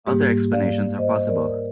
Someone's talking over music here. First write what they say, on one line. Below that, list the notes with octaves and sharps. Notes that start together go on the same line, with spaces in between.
Other explanations are possible.
G#2 G3 A#3 G4
D5 F5
C5 D#5
A#4 D5